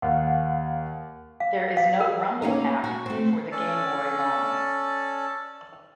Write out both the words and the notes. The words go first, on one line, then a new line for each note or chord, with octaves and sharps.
There is no Rumble Pak for the Game Boy line.
D#2 F5 F#5
F5
F5
A#4
A#3 C#4 D#4
F#4
A3 C4
C#4 A4 D5 A5